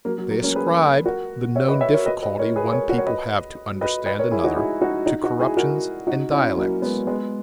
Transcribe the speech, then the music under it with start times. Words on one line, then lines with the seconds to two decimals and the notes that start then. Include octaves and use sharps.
They ascribe the known difficulty one people have to understand another to corruptions and dialects.
0.05 F#3 A#3
0.18 F#3
0.30 F#3 A#3
0.43 A#3 C#4
0.56 G#4 B4
1.05 F#4 A#4
1.55 C#5 E5
1.68 B4 D#5
1.81 C#5 E5
1.93 A#4 C#5
2.06 B4 D#5
2.23 B4 D#5
2.39 A#4 C#5
2.56 G#4 B4
2.73 A#4 C#5
2.89 F#4 A#4
2.98 C#5
3.06 B4 D#5
3.81 B4 D#5
4.06 B4 D#5
4.19 A#4 C#5
4.31 E4 G#4
4.44 D#4 F#4
4.56 E4 G#4
4.82 D#4 F#4
5.06 D#4 F#4
5.24 D#4 F#4
5.40 E4 G#4
5.57 F#4 A#4
6.07 D#4 F#4
6.31 C#4 E4
6.57 F#3 A#3
6.82 G#3 B3
7.07 G#3 B3